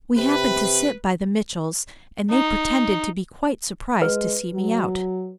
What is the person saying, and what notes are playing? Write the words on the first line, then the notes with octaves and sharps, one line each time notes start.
We happened to sit by the Mitchells, and they pretended to be quite surprised to see me out.
C3 B4
D#4
G#3 B4
F#3